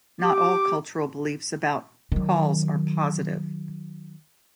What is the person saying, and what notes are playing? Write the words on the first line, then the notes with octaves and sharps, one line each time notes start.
Not all cultural beliefs about cauls are positive.
G4 D6
D#3 F#3